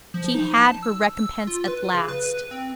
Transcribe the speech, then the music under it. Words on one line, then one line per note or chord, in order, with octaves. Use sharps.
She had her recompense at last.
F3
D#4
A5
E6
E6
F4
B4
C#3
B4
B4
C4